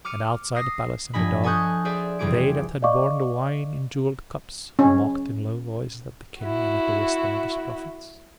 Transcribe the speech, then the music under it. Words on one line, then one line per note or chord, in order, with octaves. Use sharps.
And outside the palace in the dark they that had borne the wine in jewelled cups mocked in low voices at the King and at the wisdom of his prophets.
D6 F6 C#7 D#7
D#6 A#6 C7
G2 F3 D4 D#5 G#5 B5
A4 G#5 C#6 D#6 F#6 G6
G#4 C5 D5 E5 G#5
F1 E3 G3 G#4 D6 D7
D5 D#5 F5 C#6 D6
C#4
E4 F#4